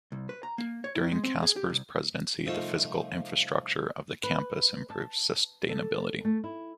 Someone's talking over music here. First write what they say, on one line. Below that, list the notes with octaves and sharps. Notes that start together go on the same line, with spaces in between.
During Casper's presidency, the physical infrastructure of the campus improved substantially.
C2
B4
A#5
A#3
C#5
E4
G#3
C4
G#4
G4
C2
C2 F3 A3 D#4 F4 E5
B4
A5
A4
A3
E4